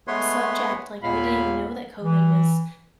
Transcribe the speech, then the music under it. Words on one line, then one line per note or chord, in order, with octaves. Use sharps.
subject, like, we didn't even know that COVID was
G#3 A3 B3 B4 C#5 C6
D#2 A#2 B3 C#5 F5 B5
E3